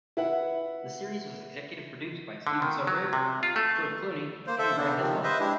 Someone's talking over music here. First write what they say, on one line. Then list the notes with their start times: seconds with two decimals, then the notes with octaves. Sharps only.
The series was executive produced by Steven Soderbergh, George Clooney, and Grant Heslov.
0.17 E4 B4 F#5
2.47 D3
2.62 D#3
2.87 F#3
3.13 C3
3.43 F4
3.56 A3
4.47 A#3 C5
4.59 A4 C5 E5
4.77 C#3 B3 D4
4.97 C3 D#3 F3
5.24 B4 C5 D#5 E5
5.40 G#3 D4 E4 G4